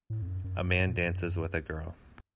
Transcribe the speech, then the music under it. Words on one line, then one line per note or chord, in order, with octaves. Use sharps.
A man dances with a girl.
A2
F2
F#2
F#2
F#2
A#2
F2
F#2